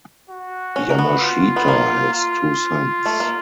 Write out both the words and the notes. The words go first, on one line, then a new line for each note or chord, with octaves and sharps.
Yamashita has two sons.
F#4
C#4
A#3
B3
F4
B3
A#3
F4
A3
A#3